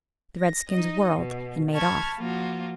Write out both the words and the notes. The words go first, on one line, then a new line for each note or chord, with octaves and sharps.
The redskins whirled and made off.
A#6
D#4 D#5
B2
A5 B5 C#6 F6 G#6
F3 A#3 F4 F#4